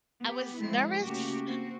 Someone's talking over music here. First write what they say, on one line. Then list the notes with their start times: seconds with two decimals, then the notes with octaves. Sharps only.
I was nervous
0.24 B3 G4
0.59 F3 G#3 C4 E4
1.03 C#3 A3 A#3 F#4 G4
1.46 A#3 C4 F#4